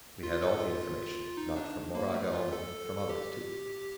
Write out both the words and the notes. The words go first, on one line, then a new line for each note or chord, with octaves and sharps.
We had all the information, not from Moraga only; from others, too.
F4
A4
F4
D#4
D4
A#3
A3
F4
A4
A4
G4